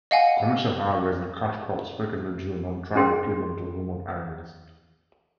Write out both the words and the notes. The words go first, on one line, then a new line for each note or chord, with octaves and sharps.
Commercial highways and cash crops frequently drew non-tribal people into remote areas.
D#5 F5 F#5 G#5
C#4 G#4 A#4 G5 C6